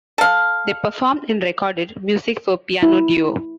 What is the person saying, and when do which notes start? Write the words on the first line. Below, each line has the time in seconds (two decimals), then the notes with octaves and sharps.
They performed and recorded music for piano duo.
0.18 A4 F5
2.83 E4